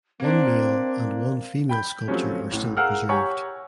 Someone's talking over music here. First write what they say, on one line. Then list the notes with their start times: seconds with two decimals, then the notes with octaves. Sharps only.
One male and one female sculpture are still preserved.
0.20 A#3 C4 D4
1.69 G5 B5 G6
2.07 F3 F#3 A3 C4 C#4 G4
2.51 A1 A2
2.77 G#4 A#4 F5 F#5 E6 F6
3.09 G4 C#5 F#5 G#5 A#5 C#6